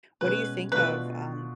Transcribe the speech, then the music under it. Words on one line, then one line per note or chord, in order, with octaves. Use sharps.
What do you think of, um
B2 G#3 C#4 B4
B2 A3 D4 F4 B4